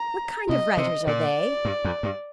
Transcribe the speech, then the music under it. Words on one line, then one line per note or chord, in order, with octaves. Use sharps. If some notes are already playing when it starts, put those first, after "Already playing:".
What kind of writers are they?'
Already playing: A#5
C3 D#5
C3
A#2 D5
G2
F2
G2